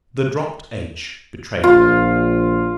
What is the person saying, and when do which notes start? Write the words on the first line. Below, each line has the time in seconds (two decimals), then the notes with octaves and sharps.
The dropped "h" betrayed her.
1.64 A#1 F4